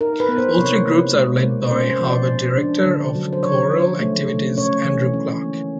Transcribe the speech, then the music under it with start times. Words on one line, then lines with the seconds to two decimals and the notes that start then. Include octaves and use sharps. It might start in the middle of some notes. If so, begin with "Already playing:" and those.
All three groups are led by Harvard Director of Choral Activities Andrew Clark.
0.01 D#4 A#4
0.20 B4
0.28 B3
0.38 C5
0.57 C3 C#5
0.86 A#3
1.15 G#3
1.44 G#3
1.71 C#4 C5
1.90 C5
2.01 F3
2.10 D5
2.28 A#2
2.57 D4
2.86 D3
3.15 F#3
3.33 C5
3.43 C#3 C#5
3.72 F3
4.00 A3
4.29 C#3
4.57 C#4 C#5
4.85 E3
5.14 C#4
5.43 A#3